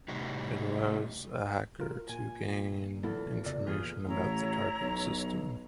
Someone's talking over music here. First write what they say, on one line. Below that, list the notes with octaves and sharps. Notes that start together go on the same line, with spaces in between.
It allows a hacker to gain information about the target system.
A2 C3 G3 D#4 F#4
F4 A#4
A#2 G#5
E2 F#3 A#3 E4 A4
F2 C#3 D5
F2 E3 F4 G#4 B4
A1 E4 C#5 A#5
B1